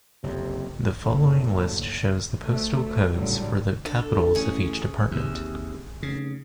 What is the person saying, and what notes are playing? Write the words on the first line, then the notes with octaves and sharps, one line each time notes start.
The following list shows the postal codes for the capitals of each department.
F#1 F2 C3
F#1 D#2 A2 D3 F#3
D2 A3
G#1 C#2 A2 D3 F#3 G3
D3 A4
A1 C#4 G#4
D#2 C3
F1 C#3